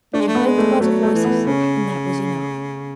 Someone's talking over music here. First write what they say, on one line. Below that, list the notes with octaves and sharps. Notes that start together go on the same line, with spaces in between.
She heard the buzz of voices; and that was enough.
A3 D4
G#3
A3
B3
G#3
A3
F#3 A3
A3
E3
B3
C#3 C#4